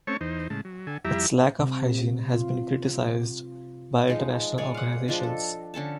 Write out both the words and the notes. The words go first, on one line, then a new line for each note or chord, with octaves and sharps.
Its lack of hygiene has been criticized by international organisations.
A3 C4 C#4 C#5 A5 C#6
E2 D#4 C5
A2 C#3 G#3 A5
F#3
D3 A4 G#5
F2 G3 E4 G4 E5 A#5
C3
F4
F3 G#3 D#4
G#3 C#5 D5 G#5
F5 F#5
F3 G#3 D4
A4
D3 C#4 A4 A5